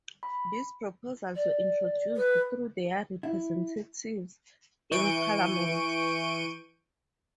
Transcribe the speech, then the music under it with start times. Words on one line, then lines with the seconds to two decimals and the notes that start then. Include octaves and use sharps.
These proposals were introduced through their representatives in Parliament.
0.23 B5
1.36 D5
2.17 B4
3.23 E4
4.91 E3 C#6 G6 D7 D#7